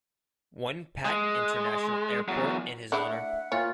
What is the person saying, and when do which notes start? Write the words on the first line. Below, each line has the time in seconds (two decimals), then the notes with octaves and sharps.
Won Pat International Airport in his honor.
1.05 G#3
2.28 E2 F#3
2.92 A3 D4 E4 G#4 F#5
3.08 E5
3.52 A#2 F4 C#5